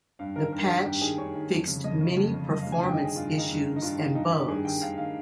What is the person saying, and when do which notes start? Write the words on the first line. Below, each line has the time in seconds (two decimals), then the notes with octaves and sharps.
The patch fixed many performance issues and bugs.
0.19 G2 F5
0.36 D#3 A#4
0.52 G2 A#4
0.69 D#3
0.85 G2 G4
1.02 D#3 G#4
1.18 G2 C#5
1.35 D#3
1.51 F2
1.68 C#3
1.84 F2 D#5
2.01 C#3
2.17 F2
2.34 C#3
2.50 F2 D#5
2.61 F5
2.67 C#3
2.72 G#5
2.83 G2 G5
2.94 D#5
2.99 D#3
3.05 G#4
3.16 G2 F4
3.32 D#3
3.38 D#4
3.49 G2
3.66 D#3
3.76 D#4
3.82 G2 F4
3.99 D#3 F4
4.15 G2 D#4
4.31 D#3 G4
4.48 G2 G#4
4.65 D#3 G5
4.81 G2 F5
4.98 D#3 F5